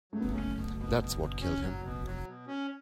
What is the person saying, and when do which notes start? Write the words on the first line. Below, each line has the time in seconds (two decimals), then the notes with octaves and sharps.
That's what killed him.
0.12 F#3 A3
0.21 B3
0.30 A3 C#4
0.55 B2
0.77 B2
0.98 B2
1.20 B2
1.41 C#4
1.61 F#3
1.83 B2
2.05 F#3
2.26 B2
2.47 C#4